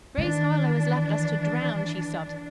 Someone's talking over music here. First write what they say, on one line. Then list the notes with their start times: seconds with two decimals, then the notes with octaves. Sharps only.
"Grace Harlowe has left us to drown," she sobbed.
0.18 D#3 E3 D4